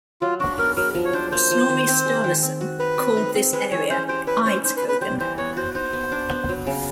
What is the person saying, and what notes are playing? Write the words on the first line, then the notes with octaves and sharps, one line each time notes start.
Snorri Sturlusson called this area Eidskogen.
F#3 F4
D4 F#4
B3 A#4
F#3 A#4
F3
C#5
D4 C5
A#3 C5
F3
D#3
C4
G#3
D#3
C4
F#4
D#4 B4
C4
D#4
C4
G#3 B4
E3 C#5
C#4 C5
G4 C5
E4 B4
C#4 C5
D#4 C5
B4
B3
B4
G3 C5
E3 C5
B3 C#5
F#4 C5
D#4 C5
B3
D4
B3
F#3
C#3